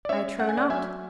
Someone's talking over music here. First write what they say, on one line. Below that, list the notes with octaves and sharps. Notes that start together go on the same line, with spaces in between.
I trow not.
D5
C#4 C#5 E5
C#4 F#5
G#5
D5 F#5
F#3 E5 G#5